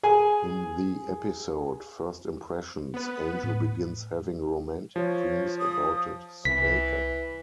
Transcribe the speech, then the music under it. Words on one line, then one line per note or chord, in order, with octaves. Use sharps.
In the episode "First Impressions", Angel begins having romantic dreams about his maker.
G#4 G#5
B3 B4
A2
F3 C#5
D#6
C2 E3 B6